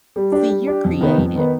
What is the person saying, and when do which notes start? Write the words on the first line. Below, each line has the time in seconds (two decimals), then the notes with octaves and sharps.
See, you're creative.
0.16 G3
0.32 D4 G4
0.50 G3
0.67 D4 G4
0.85 F2
1.01 D#3 B3 D#4 B4
1.18 F2
1.36 D#3 B3 D#4 B4